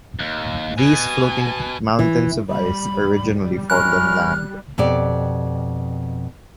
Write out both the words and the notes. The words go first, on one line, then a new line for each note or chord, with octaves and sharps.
These floating mountains of ice are originally formed on land.
D#2
B2 G#5
E3
G3 B5
C#4 E4 A#4 F6 F#6
F2 B2 G4 D5